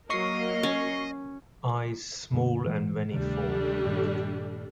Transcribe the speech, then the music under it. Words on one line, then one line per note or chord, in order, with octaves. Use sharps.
Eyes small and reniform.
F#3 A#3 A#4 D#5 C#6 C7
C#4
F#2 D3 A#3
A#2 E3 G#3
D2 C3 D#3 G3 A3 D4
G2 A#2 D#3